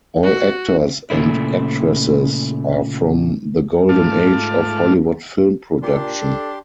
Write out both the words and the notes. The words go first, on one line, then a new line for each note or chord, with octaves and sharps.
All actors and actresses are from the "Golden age" of Hollywood film production.
F#4
A#2 C#3 A3 E4
G#2 A3 F4 A5 D6 F6
A#2 D4 G4 C6
A4